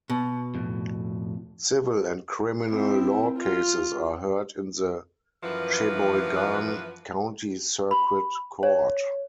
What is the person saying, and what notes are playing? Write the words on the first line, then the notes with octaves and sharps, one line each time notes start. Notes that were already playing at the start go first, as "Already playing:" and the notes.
Civil and criminal law cases are heard in the Sheboygan County Circuit Court.
B2
F2 A2
C4 E4
F4
F#2 E3 F3 B4
B5
C#5